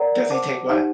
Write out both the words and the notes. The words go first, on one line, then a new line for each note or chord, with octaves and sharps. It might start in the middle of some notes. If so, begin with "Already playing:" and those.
Does he take what?
Already playing: A#4 D5 F#5 A#5
C5 F#5 A5 D6
D#4 G4 C5 F#5